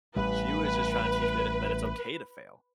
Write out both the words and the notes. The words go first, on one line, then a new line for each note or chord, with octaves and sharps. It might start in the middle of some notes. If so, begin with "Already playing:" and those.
She was just trying to teach me that that it's okay to fail
A1 G3 B4